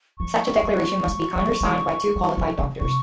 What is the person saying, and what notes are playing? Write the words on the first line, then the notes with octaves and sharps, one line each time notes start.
Such a declaration must be countersigned by two qualified doctors.
F3 C#6
G3 C#6
G#3
F3
G3
G#3
G3
F3
C#3
C3 C#6